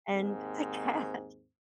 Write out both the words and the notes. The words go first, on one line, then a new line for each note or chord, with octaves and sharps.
and the cat,
D#2 G#2 C4